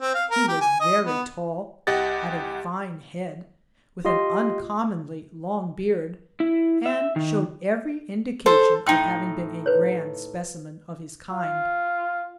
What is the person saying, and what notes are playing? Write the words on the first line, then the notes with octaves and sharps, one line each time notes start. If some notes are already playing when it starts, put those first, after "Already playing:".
He was very tall, had a fine head, with an uncommonly long beard, and showed every indication of having been a grand specimen of his kind.
C4
F5
A#4
G4
G#5
D#5
B3
C2 G4 D#5 F#5 A6
F4 G4 D#5 C6
E4
E5
D#3
A4 C5
A2 D#4 G5 C6 E6
B4 C#5
F4